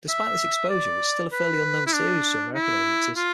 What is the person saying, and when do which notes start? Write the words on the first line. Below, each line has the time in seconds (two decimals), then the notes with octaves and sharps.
Despite this exposure, it is still a fairly unknown series to American audiences.
0.09 E5
0.70 D5
1.32 B4
1.87 E4
1.94 D4
2.55 E4
3.17 F4